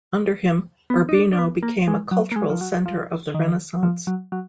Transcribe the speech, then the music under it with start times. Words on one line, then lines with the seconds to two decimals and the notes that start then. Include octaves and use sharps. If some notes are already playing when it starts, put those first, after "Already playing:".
Under him Urbino became a cultural center of the Renaissance.
0.90 B3
1.09 D#4
1.14 D4
1.33 D4
1.39 B3
1.63 A#3
1.88 G#3
2.11 F#3
2.32 A#3
2.36 G#3
2.50 F3
2.61 F#3
2.86 F3
3.34 D#3
3.83 F3
4.07 F#3
4.32 F#3